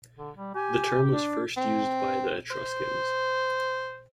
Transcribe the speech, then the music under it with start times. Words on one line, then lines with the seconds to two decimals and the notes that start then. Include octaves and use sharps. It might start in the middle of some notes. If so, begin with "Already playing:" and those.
The term was first used by the Etruscans.
0.18 D3
0.36 G3
0.55 G4 G#5
1.11 D4
1.57 C4
2.51 C5